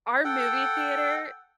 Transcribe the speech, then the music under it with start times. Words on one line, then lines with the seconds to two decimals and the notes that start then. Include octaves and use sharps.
our movie theater?
0.25 A4 F#5 G5